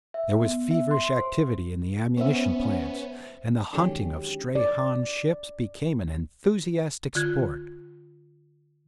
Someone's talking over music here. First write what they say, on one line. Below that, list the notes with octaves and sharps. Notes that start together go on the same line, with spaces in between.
There was feverish activity in the ammunition plants, and the hunting of stray Han ships became an enthusiastic sport.
E5
B3
E5
C6
C5
B3 C#4 C5 E5
D3 D#3 F#3 G#3 C#4 G4
D5
D3 F4 F#6 G#6